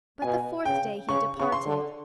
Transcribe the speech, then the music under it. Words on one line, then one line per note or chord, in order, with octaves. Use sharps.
But the fourth day he departed!
B2 G#5
C#3 G5
C#3 C#6
C#3 C#6
C6
D3